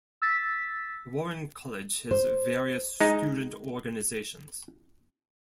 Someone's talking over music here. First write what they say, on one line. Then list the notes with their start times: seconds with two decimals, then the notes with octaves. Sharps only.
Warren College has various student organizations.
0.22 E6 A6 B6
2.11 C5
3.00 G#3 D#4